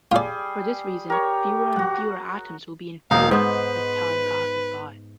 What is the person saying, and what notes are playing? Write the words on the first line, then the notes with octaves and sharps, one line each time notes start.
For this reason fewer and fewer atoms will be in-phase as time passes by.
G3 F4 G#4 D5
G4 A#4 C#5
F#4 F#5
E1 A#3 D#4 F5
G#2 B3 B4 C5